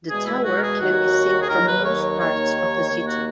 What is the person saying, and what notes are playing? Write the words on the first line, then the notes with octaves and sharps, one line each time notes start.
The tower can be seen from most parts of the city.
E2 B2 G#3 G#4
E4
F#4
A#4
G#4
D#2 D#3 F#3 F#4
G#4
D#2 D#3 F#3 A#4
B4
C#5
C#5
D#2 D#3 A#3 C#5
D#2 D#3 A#3 C#5
F#4